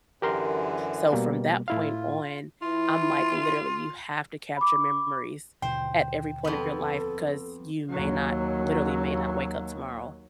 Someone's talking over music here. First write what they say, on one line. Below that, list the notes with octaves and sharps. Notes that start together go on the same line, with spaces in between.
so from that point on, I'm like, literally, you have to capture memories at every point of your life, 'cause you may not literally may not wake up tomorrow,
F#2 D3 E3 G4 A#4 C6
B2 G3 A#3
A2 E4 F4 F5
E3 E4 F4
B5 D6
D#2 B2 D3 C5 G5
F2 B3 A4
D#2 F#3